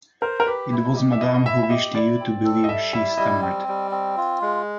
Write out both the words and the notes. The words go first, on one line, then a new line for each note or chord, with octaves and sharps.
"It was madame who wished you to believe," she stammered.
A#4 C5
A#4
G4 B4
E4
G4 D#5
E5
E4 D#5
D#5
E4 E5
E5
G4 D#5
E4 D5
C4
A4
D#5
G3 E5
E4 E5
G3 D#5
C4
G3
C4
F4
G#3